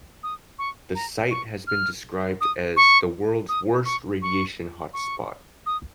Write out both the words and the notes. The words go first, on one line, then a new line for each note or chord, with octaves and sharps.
The site has been described as "The world's worst radiation hotspot".
D#6
C#6
A#5
C#6
F6
D#6
C#6
D#6
C#6
C#6
C#6
D#6